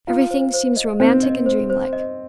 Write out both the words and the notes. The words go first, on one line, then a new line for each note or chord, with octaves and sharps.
Everything seems romantic and dreamlike.
F4 A#5
C5
C5
D#5
C4 C5
D#5
C5
C5
D#5